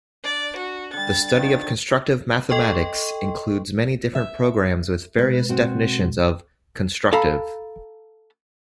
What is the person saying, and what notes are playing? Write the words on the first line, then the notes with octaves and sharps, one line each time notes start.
The study of constructive mathematics includes many different programs with various definitions of "constructive".
D4 D5
F#4
D3 G3 A6
D3 D#3 F3
A4 D#5 G5 C6 C#6
E5
B2 G#3 B4
C4 F#4
A4 F5 A#5 B5